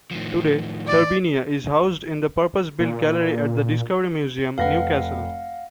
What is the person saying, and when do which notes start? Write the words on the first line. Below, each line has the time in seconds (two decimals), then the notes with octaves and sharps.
Today, "Turbinia" is housed in a purpose-built gallery at the Discovery Museum, Newcastle.
0.11 A2 D#3 F3
0.87 D5
2.80 A#2
4.58 F1 B4 F5 F#5 A#6